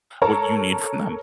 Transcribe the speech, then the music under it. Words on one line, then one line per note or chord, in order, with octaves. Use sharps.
what you need from them.
A4 A#4 C#5 A5 A#5